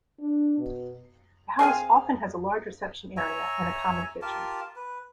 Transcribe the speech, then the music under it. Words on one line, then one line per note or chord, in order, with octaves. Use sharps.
The house often has a large reception area and a common kitchen.
D4
B2
C4 G#4 F5 G#5
C#5 E5 G#5 A#5
F4 G4 A#4 A5
B4